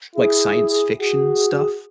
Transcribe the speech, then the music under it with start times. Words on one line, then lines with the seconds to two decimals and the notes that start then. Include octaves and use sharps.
like, science fiction stuff?
0.15 E4 G#4
0.99 F#4 G#4